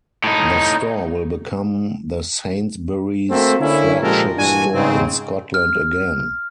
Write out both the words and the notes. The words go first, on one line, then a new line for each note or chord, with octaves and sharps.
The store will become the Sainsbury's flagship store in Scotland again.
A2 D#4
A3 A#3 C4 F#4 A4 E5
D3 A#3 C#4 E4
A#2 F3 G#3 G4 A4 A#4
G2 A#2 E3 D4 F#4 G#5
G#2 C#3 C4
F6